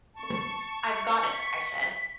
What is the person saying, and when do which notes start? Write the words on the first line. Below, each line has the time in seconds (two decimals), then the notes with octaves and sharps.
"I've got it," I said.
0.15 A5 C#6
1.33 B6